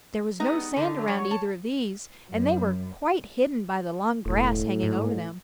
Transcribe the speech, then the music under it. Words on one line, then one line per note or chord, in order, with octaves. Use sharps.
There was no sand around either of these, and they were quite hidden by the long grass hanging over them.
G3 G#3 B3 D#4 D#5
D3 D#3 D#4
F#3 A3
F#3 C#5
A5
F#2
E1 A2
G#2